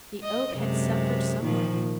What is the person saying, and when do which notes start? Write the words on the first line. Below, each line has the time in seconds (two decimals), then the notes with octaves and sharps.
The oak had suffered somewhere.
0.23 D#5
0.54 F#2 C3 G#3
1.41 A#2 D#3 F3